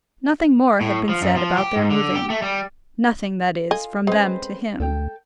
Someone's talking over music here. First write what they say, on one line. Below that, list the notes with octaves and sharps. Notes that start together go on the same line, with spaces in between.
Nothing more had been said about their moving,--nothing, that is, from them to him.
A2
F3
F#2
F3
G4
G#2
D3
G4
A3
G3
F4 A4 D#5 G#5
G#3 C4 C#4 B4 C5
D2 A4 G5